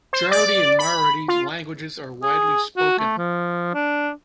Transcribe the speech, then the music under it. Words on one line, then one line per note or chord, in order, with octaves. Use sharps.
Gujarati and Marathi languages are widely spoken.
C5
D5
B5
F4
G#4
F#4
A3
F3
D4